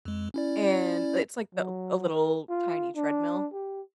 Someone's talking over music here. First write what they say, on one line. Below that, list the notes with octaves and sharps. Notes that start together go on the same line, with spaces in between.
and it's like the a little, tiny treadmill.
F2 G#3
C#4 E4 D5
F#3
A#4
F4
D4
G4